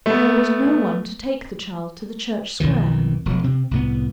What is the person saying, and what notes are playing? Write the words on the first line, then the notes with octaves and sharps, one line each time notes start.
And there was no one to take the child to the Church Square.
A3 B3
B1 F2 D#3 E3
E1 F3 F#3
C3 C4
C2 A2 B3